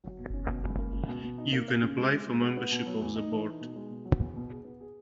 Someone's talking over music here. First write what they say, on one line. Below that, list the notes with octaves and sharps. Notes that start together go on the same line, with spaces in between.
You can apply for membership of the board.
F#3
B2
C#4
B2
C#2
A#3
C#2
B2
B2
D#4
A#3
A#3
C#3
G#3
G#3
G#3
B3
B3
B2
F#3
E2
D#4
E3
D#4
B2
G#3
B2
F#3
E2
B2
G#4
B3
G#4